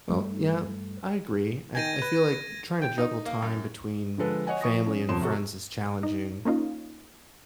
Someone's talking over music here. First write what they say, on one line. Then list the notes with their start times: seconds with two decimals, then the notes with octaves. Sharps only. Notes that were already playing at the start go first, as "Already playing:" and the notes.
Well, yeah, I agree. I I feel like trying to juggle time between family and friends is challenging,
0.09 G2 G3 A3
1.75 D#3 G5 G#5 G#6 A#6 D#7
2.02 B4
2.82 G5
2.98 D#4
3.26 A#3
3.42 F#2
4.18 D3 F3 G#3 A4 B4
4.47 C#5 D#5 F#5 G#5
4.61 F3 C#6 D#6 A#6
4.86 C#4
5.09 E1 F2 C6 E7
5.21 C3 F#4 A4
6.03 D#4
6.45 A#3 C#4 D#4 F4